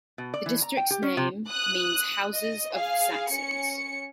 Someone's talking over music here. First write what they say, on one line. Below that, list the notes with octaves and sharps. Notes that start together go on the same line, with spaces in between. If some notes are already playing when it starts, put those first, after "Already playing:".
The district's name means 'Houses of the Saxons'.
B2
D5
E3
A#5
G5
G4
C#4
C3
D#6 F#6
D#5
G#4 F5
C#4 C#7